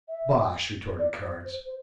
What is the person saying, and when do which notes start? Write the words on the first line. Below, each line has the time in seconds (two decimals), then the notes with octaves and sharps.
"Bosh!" retorted Carnes.
0.09 E5
0.99 D5
1.22 C5
1.45 C5
1.66 C5